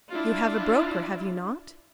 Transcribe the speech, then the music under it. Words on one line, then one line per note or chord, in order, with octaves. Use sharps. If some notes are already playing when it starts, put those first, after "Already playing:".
"You have a broker, have you not?"
D4 E4 F4